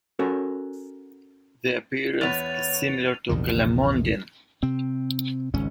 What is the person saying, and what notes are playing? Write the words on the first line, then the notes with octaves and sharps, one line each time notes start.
The appearance is similar to Calamondin.
C#4 F#4 A4 A#4
E2 B3 C#5 A6 D#7 F7
A#1 E2 C3 D#3
C3 C4
G#1 C#2 C#4